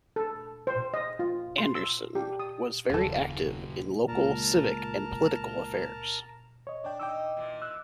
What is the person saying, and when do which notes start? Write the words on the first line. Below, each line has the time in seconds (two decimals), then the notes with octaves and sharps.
Anderson was very active in local civic and political affairs.
0.16 A4
0.67 C5
0.94 D#5
1.19 F4
1.58 C6
1.75 E6
2.15 G4
2.39 D#6
2.90 D#1 F#2 C#3 F4 A4
4.08 C#2 A#2 A#4 A5 A#5
6.67 C#5 D#5
6.84 D4 D5 G5
7.00 D#4 G5 D6 E6
7.36 A#2 E3
7.62 E6 F#6